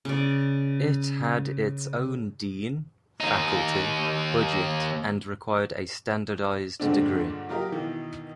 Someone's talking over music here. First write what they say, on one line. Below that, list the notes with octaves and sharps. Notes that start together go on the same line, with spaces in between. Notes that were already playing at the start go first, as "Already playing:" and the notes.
It had its own Dean, faculty, budget and required a standardized degree.
C#3 D5
D#2 D#4
G2 A#2 D3 G#3 C4 D4
F#3 F4 G4 A#4 D#5
B2 D#3 E3